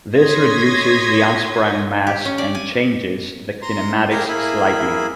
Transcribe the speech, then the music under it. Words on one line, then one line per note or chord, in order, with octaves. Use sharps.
This reduces the unsprung mass and changes the kinematics slightly.
C#5 C6 D#6 G#6 A#6 B6
G4
C#4
D5
G#5
A#5 C6
A#3 G4 G#4 G#5 A#5 G6
A#3 E4 G#4 B5